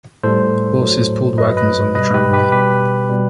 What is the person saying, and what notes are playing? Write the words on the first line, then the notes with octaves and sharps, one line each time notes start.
Horses pulled wagons on the tramway.
A2 G3 A4 C5
A2 F#3
G2 F#3 B4 D#5
B4 D#5
B2 G3 B4 D#5
G4 B4
G4 B4
B2 G3 G4 B4
B2 G3